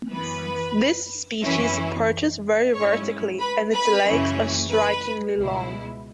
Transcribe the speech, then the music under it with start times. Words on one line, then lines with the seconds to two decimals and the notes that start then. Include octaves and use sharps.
This species perches very vertically, and its legs are strikingly long.
0.10 F#2 E3 B3 B4 B5
1.43 F#2 E3 C#4 E4
2.74 G#2 G#3 C#4 E4 C#5 C#6
3.40 B4 B5
3.73 B4 B5
4.06 F#2 C#3 E3 C#4 E4
4.71 B4 B5
5.38 C#2 B2 G#3 E4